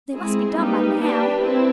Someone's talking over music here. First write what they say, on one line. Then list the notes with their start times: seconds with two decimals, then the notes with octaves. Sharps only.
"They must be done by now."
0.14 G#3 C4 E4 G#4
0.56 G3 A#3 D#4 G4 B4
0.98 D4 G4 B4
1.41 C4 E4